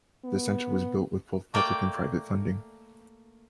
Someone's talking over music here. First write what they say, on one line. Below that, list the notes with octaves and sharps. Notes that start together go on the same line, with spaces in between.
The center was built with both public and private funding.
B3
A3 A#3 D5 G5